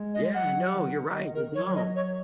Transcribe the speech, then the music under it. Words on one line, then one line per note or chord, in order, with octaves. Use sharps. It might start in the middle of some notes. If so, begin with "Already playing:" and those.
Yeah, no, you're right, they don't.
Already playing: G#3
D#5
F#3 F#5
D#3
D#5
A#4
F#3 C#5
D#5
C#5